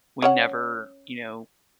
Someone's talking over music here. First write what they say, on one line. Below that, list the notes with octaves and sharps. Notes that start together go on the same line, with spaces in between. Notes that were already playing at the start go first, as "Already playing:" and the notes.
we never you know,
C#4 C#5 F#5